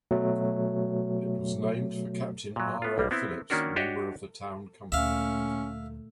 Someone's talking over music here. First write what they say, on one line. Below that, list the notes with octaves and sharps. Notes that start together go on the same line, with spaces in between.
It was named for Captain R. O. Phillips, member of the town company.
B2 F#3 A3
A#2 F#3
B3 F4
B1 G3 A#3
B3 C4 E4
D#3 A#3 C#4 D4 F#4 A#4
D4 F#4 G4 C#5 D#5
D2 A#2 A3 C#4 E5 F5